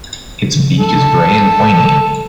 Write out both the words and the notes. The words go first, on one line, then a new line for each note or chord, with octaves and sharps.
Its beak is grey and pointy.
A4